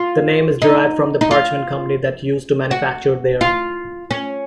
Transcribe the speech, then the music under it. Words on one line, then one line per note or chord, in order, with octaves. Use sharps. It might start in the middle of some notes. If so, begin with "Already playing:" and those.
The name is derived from the parchment company that used to manufacture there.
Already playing: F4
D#4
D#4
F4
F#4
F4
C#4